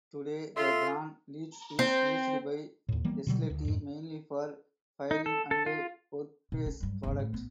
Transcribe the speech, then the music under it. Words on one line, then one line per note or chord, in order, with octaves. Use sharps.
Today the brand Leitz is used by Esselte mainly for filing and workspace products.
F4 A4 E5 C6
C4
D#2 A2
E3 G3 A#3 B3
B2 D3 F#3 G3
D2
F2 G#2
D#4
A4
A4
F4
B2
C#4
G2 F#3
G1 C3
A2
A1 B3